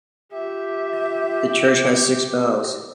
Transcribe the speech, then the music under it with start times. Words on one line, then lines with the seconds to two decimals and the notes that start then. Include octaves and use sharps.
The church has six bells.
0.32 F4 G4 E5